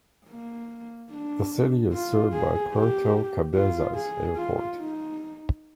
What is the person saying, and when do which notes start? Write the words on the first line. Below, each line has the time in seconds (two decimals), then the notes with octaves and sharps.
The city is served by Puerto Cabezas Airport.
0.30 A#3
1.12 D4
1.93 F4
2.33 G#4
2.73 G4
3.55 F4
3.95 G#4
4.36 F4
4.77 D#4